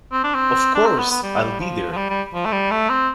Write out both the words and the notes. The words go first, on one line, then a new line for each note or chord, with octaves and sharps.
Of course, I’ll be there!
C4
D4
C4
D4
C4
B3
B3
G3
F3
F3
G3
G3
F3
A3
G3
A3
C4